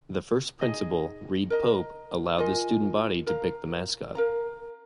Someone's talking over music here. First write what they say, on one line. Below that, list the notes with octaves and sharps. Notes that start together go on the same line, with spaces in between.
The first principal, Reid Pope, allowed the student body to pick the mascot.
D#4 G#4 D#5
A#4 D#5 A#5
F4 A#4 D#5 G#5
A#4 F5 A#5
A#4 F5 A#5